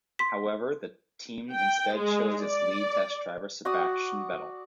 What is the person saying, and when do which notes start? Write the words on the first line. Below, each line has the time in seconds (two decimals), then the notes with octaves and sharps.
However, the team instead chose its lead test driver Sebastian Vettel.
0.19 C6 B6
1.52 G5
1.94 G#3
2.43 D5
3.65 F#4 D5 F#5 D#6